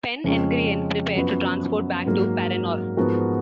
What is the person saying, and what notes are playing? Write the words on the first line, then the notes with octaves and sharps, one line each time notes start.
Pen and Grianne prepare to transport back to Paranor.
F2 C#3 G#3 C#4 F4
F#2 F3 B3 F#4 B4
G#2 F#3 A#3
G#2 F3 B3 F#4 A#4